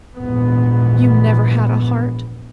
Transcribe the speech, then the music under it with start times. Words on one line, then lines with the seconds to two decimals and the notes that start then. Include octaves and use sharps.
You never had a heart.
0.15 A#1 E2 G#2 B3